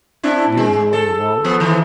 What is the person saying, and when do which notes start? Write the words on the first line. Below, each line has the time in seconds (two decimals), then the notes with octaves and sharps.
Near her lay a wallet.
0.23 C4 D4 E4
0.57 G#3
0.93 A4
1.45 F3 B3
1.60 D#3 E3